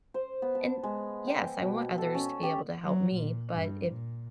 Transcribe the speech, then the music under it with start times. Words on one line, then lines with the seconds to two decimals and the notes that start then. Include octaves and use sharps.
and, yes, I want others to be able to help me, but if
0.14 C5
0.42 B3
0.55 A5
0.83 G#3
1.27 G5
1.62 B2
1.98 A4
2.15 C#4
2.43 G4
2.84 F#3
3.13 A#2
3.50 G2
3.90 A#2